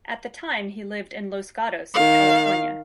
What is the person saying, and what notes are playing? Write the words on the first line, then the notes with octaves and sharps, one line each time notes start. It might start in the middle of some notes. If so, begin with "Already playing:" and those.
At the time he lived in Los Gatos, California.
D#3 F5